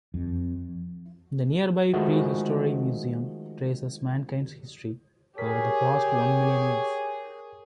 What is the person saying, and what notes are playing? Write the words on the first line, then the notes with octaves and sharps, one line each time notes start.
The nearby Prehistory Museum traces mankind's history over the past one million years.
F2
D#3 F3 G#3 A3 F#4
G4 G#4 A#4 C#5 B6